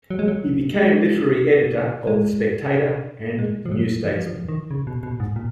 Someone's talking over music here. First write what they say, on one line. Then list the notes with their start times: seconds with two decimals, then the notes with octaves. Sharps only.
He became literary editor of "The Spectator" and the "New Statesman".
0.10 F#3
0.19 G#3
0.28 F#3
0.76 G#3
2.07 G#3
3.39 G#3
3.66 F3
3.72 F#3
4.05 F3
4.26 F3
4.48 D#3
4.71 C#3
4.87 B2
5.03 B2
5.20 G#2
5.36 A#2